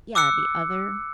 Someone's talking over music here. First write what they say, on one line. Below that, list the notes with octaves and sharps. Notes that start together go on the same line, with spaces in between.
yeah, the other
D6 E6 F#6 C#7